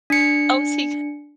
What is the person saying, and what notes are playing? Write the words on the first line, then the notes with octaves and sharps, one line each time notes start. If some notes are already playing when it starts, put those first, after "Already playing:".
Oh, is he
D4 C#7